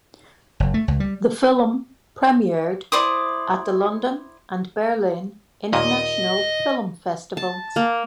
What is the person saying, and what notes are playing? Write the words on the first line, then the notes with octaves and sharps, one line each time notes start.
The film premiered at the London and Berlin international film festivals.
F#1
A3
C#2
G3
E4 C5 D5 D#6
D#2 A#2 D#5
A5
A#3